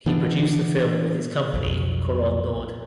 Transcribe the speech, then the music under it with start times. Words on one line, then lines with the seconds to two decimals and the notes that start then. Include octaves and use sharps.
He produced the film with his company Couronne Nord.
0.06 E3 B3 D4
1.54 B1 F2